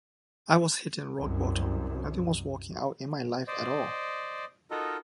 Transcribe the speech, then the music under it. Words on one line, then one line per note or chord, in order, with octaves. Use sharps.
I was hitting rock bottom, nothing was working out in my life at all.
C2 F#2
C5 D5 D#5
D#4 F4 F#4 A4 A#4 D#5